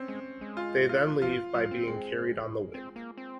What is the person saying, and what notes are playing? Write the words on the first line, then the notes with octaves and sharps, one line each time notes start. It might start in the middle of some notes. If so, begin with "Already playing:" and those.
They then leave by being carried on the wind.
Already playing: C4 C#4
G#3
G#3
F4
F4
F3 F4
F#3 F4
C4
G#3
C4
A#3
C4